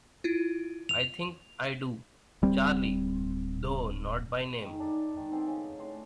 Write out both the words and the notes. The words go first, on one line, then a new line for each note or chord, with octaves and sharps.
I think I do, Charley, though not by name.
E4 F4
F7
D1 G3 C4
D#3 G#3 G#4
D4 D#4 A4 D5
D#3 G#3
B3 C4 G#4 A4
C#3
A2 D4 C6